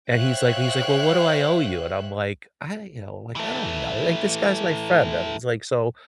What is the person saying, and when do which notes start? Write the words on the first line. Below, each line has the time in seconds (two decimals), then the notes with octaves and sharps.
And, he's like he's like, "Well, what do I owe you?" And I'm like, "I" you know, like, "I don't know," like, this guy's my friend, I was like so,
0.10 C5 C#5 E5 F5 G5 F#6
3.36 E3 A3